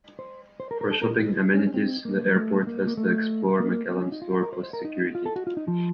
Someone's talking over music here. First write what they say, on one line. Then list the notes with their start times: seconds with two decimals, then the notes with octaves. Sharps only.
For shopping amenities, the airport has the Explore McAllen store post-security.
0.19 C5
0.60 C5
0.71 A#4
0.81 A#4
0.91 A4
1.02 A#4
1.54 C#4
1.67 C#4
1.74 C4
2.05 A#3
2.27 F#3
2.36 A3
2.67 A#3
2.87 A#3
2.97 A3
3.60 A#3
3.91 C4
4.02 C#4
4.12 D#4
4.22 F4
4.33 F#4
4.43 A#4
4.53 C5
4.63 C5
4.73 A#4
4.84 D#4
5.15 F4
5.26 A4
5.36 F#4
5.47 F4
5.57 D#4
5.68 F3